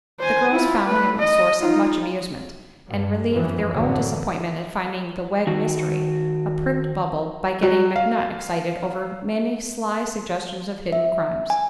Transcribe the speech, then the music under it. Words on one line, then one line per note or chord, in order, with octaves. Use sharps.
The girls found him a source of much amusement, and relieved their own disappointment at finding the "Wegg Mystery" a pricked bubble by getting McNutt excited over many sly suggestions of hidden crimes.
C5 G#5
E4 F4
A3 B4
D#5
D#4 F4
G2
F#2 E3 F3
A1 D3 E3 F#3
D#3 F#4
F#3
F5
E5
G#5